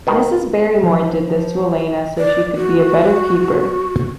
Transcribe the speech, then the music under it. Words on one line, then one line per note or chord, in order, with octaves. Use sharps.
Mrs. Barrymore did this to Elena so she could be a better keeper.
B2 D#3
F3
D5
F#4